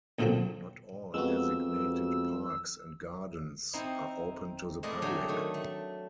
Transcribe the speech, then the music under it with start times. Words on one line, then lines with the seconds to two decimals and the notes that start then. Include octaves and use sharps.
Not all designated parks and gardens are open to the public.
0.19 D2 A#2 D3 F3 F#3 C4
1.14 F2 G#3 B3 F#4 E6
3.73 C4 D#4 E4 C5
4.83 G#3 A3 E4 G#4 D5 D#5
5.02 D3 F#3 A3 G#4 G5
5.28 D#3 A3
5.54 A3